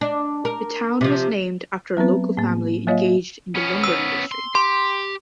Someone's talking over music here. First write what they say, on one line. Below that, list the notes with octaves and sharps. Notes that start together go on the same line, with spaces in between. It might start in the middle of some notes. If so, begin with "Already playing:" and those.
The town was named after a local family engaged in the lumber industry.
D4
A#4
C3 F3
F#3 B3 C4 B4
A2 A#3
F#3 A#3 F4 C#5 D#5 F5
B3 C#4
E6
C6
G4 C6